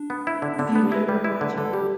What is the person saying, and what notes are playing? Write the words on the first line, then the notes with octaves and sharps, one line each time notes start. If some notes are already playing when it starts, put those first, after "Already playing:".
They never watch it.
Already playing: D4
B3
E4
D3
D4
D3 B3
B3 D4
G4
E4 B4
G3 B4
E4
D3
D3 A4
G3 G4